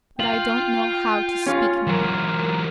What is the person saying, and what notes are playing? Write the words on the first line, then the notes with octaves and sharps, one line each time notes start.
But I don't know how to speak now.
F4 F5 G5 F#7
C#4 F4 C#6
E3 F#3 A#4